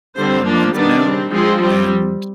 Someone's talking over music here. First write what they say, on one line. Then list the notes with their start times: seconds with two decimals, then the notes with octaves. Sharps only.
a month now, and
0.15 D3 G3 C4 C5
0.44 F3 A#3 D4
0.73 D#3 G3 B3 D4 D5
1.02 G3 C4
1.30 F3 G#3 C4
1.60 G3 C4